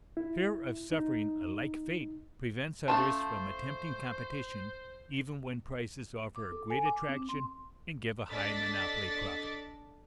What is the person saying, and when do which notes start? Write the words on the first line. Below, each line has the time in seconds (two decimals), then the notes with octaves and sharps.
Fear of suffering a like fate prevents others from attempting competition even when prices offer a great attraction and give a high monopoly profit.
0.17 E4
0.92 D#4
2.88 F3 A3 C#4 A4 C5 A5
6.36 D6
6.52 A4
6.70 G#5
6.85 D6
7.09 C4
7.29 C6
8.29 D4 A4 D5 D#5 A6 B6